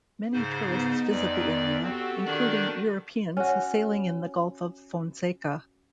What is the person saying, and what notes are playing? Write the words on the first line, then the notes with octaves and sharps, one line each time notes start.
Many tourists visit the area, including Europeans sailing in the Gulf of Fonseca.
G#2 C#3 C5
B3 D#4
F2 D5
C4 F#4 G4 A4
D#3 D4 D5
C#4 F#4